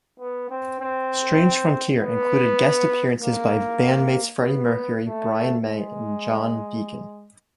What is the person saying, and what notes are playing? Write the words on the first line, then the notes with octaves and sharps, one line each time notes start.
"Strange Frontier" included guest appearances by bandmates Freddie Mercury, Brian May and John Deacon.
B3
C4
C4
B3
A#3
B3
A3
G#3